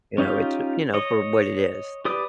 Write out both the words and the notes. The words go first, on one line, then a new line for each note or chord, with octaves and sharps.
You know, it you know, for what it is.
C#4 D#4 F4 G4
C#5 D#5
G4 B4 D5 D#6